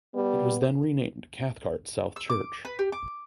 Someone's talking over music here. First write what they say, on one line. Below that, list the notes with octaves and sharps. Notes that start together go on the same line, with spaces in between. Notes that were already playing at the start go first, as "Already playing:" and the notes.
It was then renamed Cathcart South Church.
G3 B3
E6
D6
B4
G4
D6